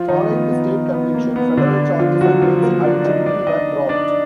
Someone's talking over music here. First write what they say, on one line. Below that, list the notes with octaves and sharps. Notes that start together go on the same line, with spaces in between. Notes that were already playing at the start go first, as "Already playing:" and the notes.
Following the state conviction, federal charges against Al-Turki were dropped.
Already playing: F3 F4
D#3 D#4
B3
B3
B3
A#3
B3
D3 D4
F3 F4
F#3 F#4
F3 F4
A#3 A#4
D4 D5
D#4 D#5
D4 D5
D#4 D#5
D4 D5